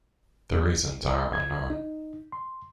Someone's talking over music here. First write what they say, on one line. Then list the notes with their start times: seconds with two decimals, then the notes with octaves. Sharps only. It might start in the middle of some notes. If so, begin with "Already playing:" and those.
The reasons are unknown.
1.33 G#6
1.70 D#4
2.32 C6